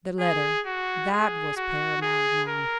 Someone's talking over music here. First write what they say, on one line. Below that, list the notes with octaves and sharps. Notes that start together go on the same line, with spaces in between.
The letter--that was paramount now.
G#4
F#4
G#4
F#4
G#4
A#4